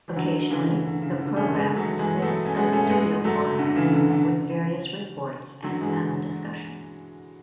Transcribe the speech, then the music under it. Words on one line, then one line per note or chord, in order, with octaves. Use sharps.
Occasionally, the programme consists of a studio format with various reports and panel discussions.
E3
D3 F#3
C#3 E3
D3
C#3
D3
A3 C#4
G#3 B3
F#3 A3
E3 G#3
B3
F#3 A3
C#4
G#3 B3
A3 C#4
A3
G#3 B3
F#3 A3
D3
C#3 E3
D3
D3
D3 F#3
E3 G#3